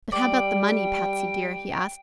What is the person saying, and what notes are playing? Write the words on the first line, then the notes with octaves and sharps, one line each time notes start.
"But how about the money, Patsy dear?" he asked.
G3 D5 G5